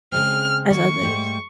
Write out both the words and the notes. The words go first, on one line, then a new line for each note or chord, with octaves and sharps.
as others.
C#3 G#3 C4 F6
D#3 A#3 C#6
G#2 G3 A3